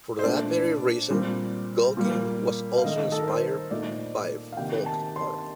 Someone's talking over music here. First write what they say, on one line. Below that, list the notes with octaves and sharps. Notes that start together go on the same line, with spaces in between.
For that very reason, Gauguin was also inspired by folk art.
C5
A#2 A3 D4 D5
A#2 G3 C4
A#2 G3 A#3
F5
D#3 A3 D#4 D#5
A4
A#4
C5
A#2 A3 D#4 D5
F5
C3 D#3 A#3 G5
A5
C6